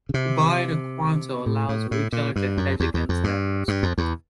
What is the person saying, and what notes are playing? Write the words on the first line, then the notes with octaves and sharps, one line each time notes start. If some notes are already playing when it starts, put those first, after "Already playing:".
Buying a quanto allows the retailer to hedge against that risk.
C#3
C3
A2
A2
A2
A#2
G2
F#2
E2
E2
F2
G2
G2
F2
E2